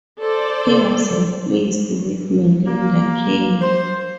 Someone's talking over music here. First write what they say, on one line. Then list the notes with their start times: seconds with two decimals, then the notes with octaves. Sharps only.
He was replaced with Melinda Kane.
0.21 A4 C5 D5
2.65 A#3
3.61 C5